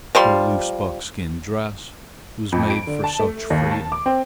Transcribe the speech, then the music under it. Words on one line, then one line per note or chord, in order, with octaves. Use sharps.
Her loose buckskin dress was made for such freedom.
F3 G3 C6
F2
D7
D3
A5
A3
D#2
A5
D6
C4